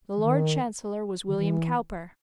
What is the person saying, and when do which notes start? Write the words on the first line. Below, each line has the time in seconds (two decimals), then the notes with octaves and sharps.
The Lord Chancellor was William Cowper.
0.17 E3
0.22 D#3
1.28 D#3
1.37 E3